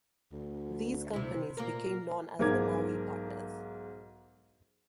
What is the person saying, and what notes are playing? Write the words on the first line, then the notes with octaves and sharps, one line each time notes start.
These companies became known as the Maui Partners.
D2
C3 E4
A#2 A#3 A#4
B1 G#2 A#4 D6 G#6